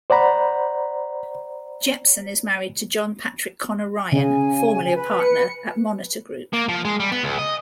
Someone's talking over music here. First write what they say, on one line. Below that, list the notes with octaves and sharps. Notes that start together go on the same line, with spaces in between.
Jepsen is married to John Patrick Conor Ryan, formerly a partner at Monitor Group.
C5 D5 F#5 A#5 B5
C#3 G#5
B4
C#7
A#3
F3
G#3
G3
B3
C#2
D#5